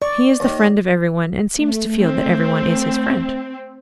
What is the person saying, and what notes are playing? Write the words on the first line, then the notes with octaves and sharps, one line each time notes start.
He is the friend of everyone and seems to feel that everyone is his friend.
D5 C#6
D#2 D#3
A3
C4